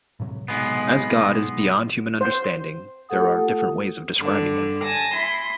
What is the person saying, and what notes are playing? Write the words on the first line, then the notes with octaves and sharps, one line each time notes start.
As God is beyond human understanding, there are different ways of describing him.
A2 C3 F#3
B1 G#3 B3
C5
A3 F4 G4 A4 F#5 D#6
G2 D3
G#5 A5 A#6
E4 C6